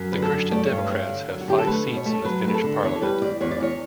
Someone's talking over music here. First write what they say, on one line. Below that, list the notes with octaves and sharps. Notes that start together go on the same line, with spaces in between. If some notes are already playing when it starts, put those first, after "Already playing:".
The Christian Democrats have five seats in the Finnish Parliament.
Already playing: F#2
D3 B4
A4
F#2
A3 D5
C#5
G2
B4
G2 C#5
D3
F#2
F#4
D3 G4
A4
A3 B4
B2
C#5
A3
A4
F#3 B4
A3 B4
A4
D3
E2 C#5
A4
G3 B4
E2 D5
E2 C#5
D5
E2 C#5